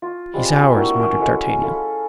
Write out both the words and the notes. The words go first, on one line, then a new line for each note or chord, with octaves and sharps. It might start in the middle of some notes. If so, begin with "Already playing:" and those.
"He's ours," muttered D'Artagnan.
F4
G3 G#3 C4 F5
A#3 D4 E4 F#4
A#3 C#4 G5
F#3 G#3 A4 F#5
G#4 A4 F5 B5